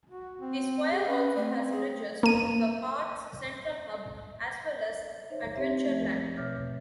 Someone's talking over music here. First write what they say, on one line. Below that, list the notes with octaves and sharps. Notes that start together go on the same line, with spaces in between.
The Square also has bridges to the park's central hub, as well as Adventureland.
F#4
C4
G4 G#4
C#4 B4
A3 C4
G#4
A#3 D#7
D#4 C5 C#5 E5
C4 G4 E5
F3 A3
B2 C#5 E5 D6 F6 G6